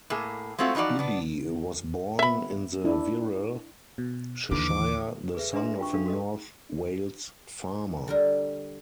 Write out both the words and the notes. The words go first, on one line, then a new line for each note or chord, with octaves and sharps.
Bibby was born in the Wirral, Cheshire, the son of a North Wales farmer.
A2 A#3 G#4
G#3 A3 C4 F4 F#4
E3 F3 D#4 F#4 D5
B3 D4
B3 E5 B5
D4 E4
B2
D#2 D3 E3 D6
G#4 B4 E5
D4 B4 D#5 E5 A#5 C6
E5
F4 G5 C#6
D4 A4 F5
F#4 A4 D#5
D3 G3 A#4